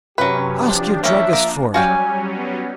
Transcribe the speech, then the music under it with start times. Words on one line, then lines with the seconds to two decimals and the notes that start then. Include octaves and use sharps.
Ask your druggist for it.
0.18 F#2 C3 F#3 C#4 G4 B4
0.60 F3 D4
1.04 A#3 C#4 E5
1.33 A#3
1.74 F#3 G3 C#4 F#4 F5 G5 G#5
2.36 B3